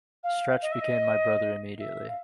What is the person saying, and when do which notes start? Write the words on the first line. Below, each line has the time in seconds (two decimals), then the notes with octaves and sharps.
Stretch became my brother immediately.
0.23 F5
0.62 D#5
0.71 E5
0.80 D#5
1.79 E5
2.07 F5